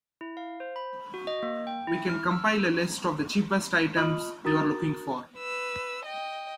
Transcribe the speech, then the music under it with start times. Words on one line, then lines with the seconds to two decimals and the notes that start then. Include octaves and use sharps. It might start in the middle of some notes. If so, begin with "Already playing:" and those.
We can compile a list of the cheapest items you are looking for.
0.21 E4
0.37 F5
0.60 C5
0.76 B5
1.14 F#4
1.27 D#5
1.43 A#3
1.67 G5
1.87 E4
2.10 F6
2.31 E6
3.96 F4 D#5 B5 D#6 F6 F#7
4.44 D4 F#4 A#4 A#5 D#6 A6
5.37 B4 E6
6.05 D#5 G5